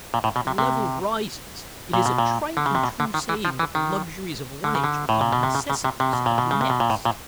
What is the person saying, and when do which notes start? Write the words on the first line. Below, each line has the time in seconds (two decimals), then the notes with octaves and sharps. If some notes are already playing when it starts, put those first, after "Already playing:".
The level rises; it is a trite and true saying that the luxuries of one age become the necessities of the next.
0.14 A#2
0.24 A2
0.36 B2
0.47 C3
0.58 C3
1.93 A#2
2.06 B2
2.18 A#2
2.57 D3
2.66 C#3
2.75 C3
2.84 B2
3.00 D3
3.14 D#3
3.29 E3
3.45 F3
3.59 E3
3.75 D#3
4.64 D3
4.75 C#3
4.84 D3
5.09 A2
5.21 A#2
5.33 B2
5.43 C3
5.55 C#3
5.70 C#3
5.84 C3
6.00 C3
6.13 B2
6.26 A#2
6.38 B2
6.51 C#3
6.61 C3
6.70 B2
6.80 A#2
6.90 A2
7.05 A#2